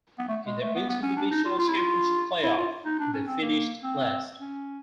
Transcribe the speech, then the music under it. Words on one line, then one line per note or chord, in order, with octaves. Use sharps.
In the inter-divisional championship play-off, they finished last.
B3
A3
G#3
A3
B3
B3
C#4
D4
D#4
F4
F4
E4
F4
E4
F4
D#4
D4
C#4
C4
A#3
C4
C#4